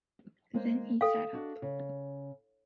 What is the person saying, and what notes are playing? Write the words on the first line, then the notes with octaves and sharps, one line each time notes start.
Then he sat up.
G#3 A#3 C5
A4 F5 G5
D4 F#4 D#5
C#3